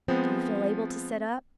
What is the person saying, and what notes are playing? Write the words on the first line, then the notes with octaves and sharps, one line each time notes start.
Do you feel able to sit up?'
F3 G#3 B3 C4